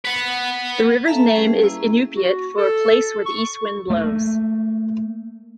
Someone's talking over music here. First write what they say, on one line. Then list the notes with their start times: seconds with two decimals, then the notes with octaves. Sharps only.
The river's name is Inupiat for place where the east wind blows.
0.05 B4 F#5
1.06 A4 E5 F5 A5 A#5
1.35 G3 C#4 G#4 B4
1.63 A#3 E4
2.15 F#4
2.58 A4
3.26 C#6
3.90 A3 A#3